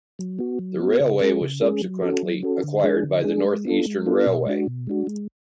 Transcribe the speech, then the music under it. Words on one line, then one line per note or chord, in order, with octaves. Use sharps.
The railway was subsequently acquired by the North Eastern Railway.
F#3
B3 F#4
F#3
B3 F#4
C#3
G#3 C#4 G#4
C#3
G#3 C#4 G#4
F#3
C#4 F#4 A4
F#3
C#4 F#4 A4
D3
G#3 D4 G#4
D3
G#3 D4 G#4
G#3
B3 D4 F4 A4
G#3
B3 D4 F4 A4
B2
G#3 D4 F#4
B2
G#3 D4 F#4
G#3